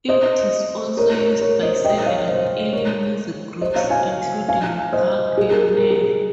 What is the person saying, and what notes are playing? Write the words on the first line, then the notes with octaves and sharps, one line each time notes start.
It is also used by several early music groups, including Cancionero.
C5 D#5
A#4 C#5
A#4 C#5
A#4 C#5
C5 D#5
D#5 G5
C#5 F5
C5 D#5
A#4 C#5
C5 D#5
C#5 F5
F5 G#5
F5 G#5
C5 D#5
G#4
A#4
G#4
A#4
G#4